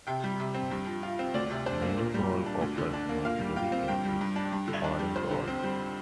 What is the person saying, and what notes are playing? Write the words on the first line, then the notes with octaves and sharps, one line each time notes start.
Nonanol occurs naturally in the orange oil.
C3 G5
G3
C3
C4
G2
F3
F4
C4
D2 D5
C3
D4 C5
A#3
A#2
G3
A#2
D4
D2
D3
D4
A#3
A#2 F5
G3
F4 G5
C4
G2 G5
G3
G2
D4
G2
D3
D4
G3
F2 C5
D3
C4
G3